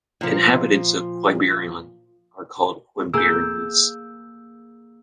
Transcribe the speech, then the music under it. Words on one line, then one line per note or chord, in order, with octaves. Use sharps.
Inhabitants of Quiberon are called "Quiberonnais".
A#2 F3
A#3 G#4 E6 G6